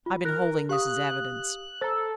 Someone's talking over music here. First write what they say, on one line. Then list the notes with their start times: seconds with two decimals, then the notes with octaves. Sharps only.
I've been holding this as evidence.
0.06 F4
0.25 A#4 F#6
0.69 G4 F5 D#6 F#6
1.81 A4 C5 A#5